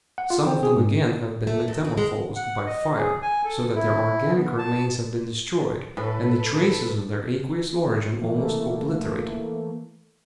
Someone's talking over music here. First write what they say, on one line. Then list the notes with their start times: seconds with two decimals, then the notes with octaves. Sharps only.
Some of them again have been metamorphosed by fire, so that their organic remains have been destroyed, and the traces of their aqueous origin almost obliterated.
0.18 F#5
0.30 F4
0.47 C4
0.63 G#4
0.76 G#2
1.47 A3
1.68 E2
1.85 C4
1.98 G#3
2.36 F#5
2.66 D#5
2.97 G#4
3.22 G#5
3.45 A4
3.75 E4
4.35 B3
4.58 A5
5.97 A2 A4 B4
8.18 E3 A3 A#3